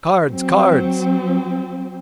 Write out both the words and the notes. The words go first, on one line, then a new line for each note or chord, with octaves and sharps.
Cards! cards!
F#3 C4